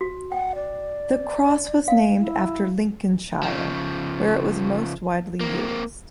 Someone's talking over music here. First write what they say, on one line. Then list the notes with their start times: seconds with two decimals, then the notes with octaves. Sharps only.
The cross was named after Lincolnshire where it was most widely used.
0.01 F#4
0.32 F#5 G5
0.55 D5
1.88 F5
2.18 E4
3.43 C#3 F3
5.40 A#3 C4